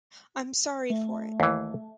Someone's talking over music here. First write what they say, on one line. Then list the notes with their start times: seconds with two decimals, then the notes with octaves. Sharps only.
I’m sorry for it.
0.90 A3
1.40 D#2 E3